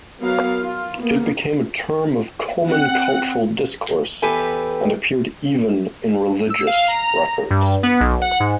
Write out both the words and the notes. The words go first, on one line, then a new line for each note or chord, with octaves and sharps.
It became a term of common cultural discourse and appeared even in religious records.
F#3 B3 A#4 F5
F4
A#3 B3
C4 F#5
E2 G4 A4 B4 G5 G#5
E6
F5
A#5
G2
B3
B1
F#5
G#2